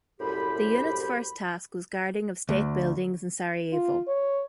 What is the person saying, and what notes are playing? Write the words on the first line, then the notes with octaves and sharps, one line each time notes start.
The unit's first task was guarding of state buildings in Sarajevo.
C2 F#2 A2 G4 C5 B5
D2
F4
C#5